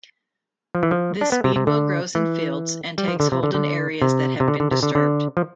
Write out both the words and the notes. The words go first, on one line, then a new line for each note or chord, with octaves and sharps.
This speedwell grows in fields and takes hold in areas that have been disturbed.
F3
E3
F3
D4
B3
C3
C3
D3
E3
G3
F3
D3
C3
D3
D3
C3
C3
D3
D3
C3
D3
D3
F3